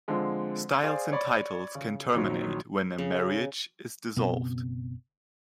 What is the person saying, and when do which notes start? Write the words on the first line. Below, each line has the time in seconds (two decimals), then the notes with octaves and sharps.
Styles and titles can terminate when a marriage is dissolved.
0.08 D3 F3 G#3 C4
0.83 G#4 C5 D5 F5
1.12 C#5 D5 B5 C#6
1.75 C#3
2.14 A#1 D#3 F#3
2.98 C#3
4.17 F#1 B2 B3 C4